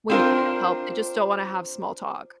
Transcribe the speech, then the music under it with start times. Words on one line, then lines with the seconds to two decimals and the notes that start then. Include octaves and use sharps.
when you need help, they just don't wanna have small talk.
0.10 C4 D4 F4 A4 A#4 C5